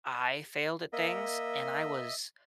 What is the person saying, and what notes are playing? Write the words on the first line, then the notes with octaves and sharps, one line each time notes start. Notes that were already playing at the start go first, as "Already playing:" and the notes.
I failed at things, and I was
A#3 D#5 E5